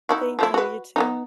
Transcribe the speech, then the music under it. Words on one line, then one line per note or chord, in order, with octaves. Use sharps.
Thank you, you too.
D#4 E4 F#4
F3 A3 E4
F#4 B4
B3 D4 D#4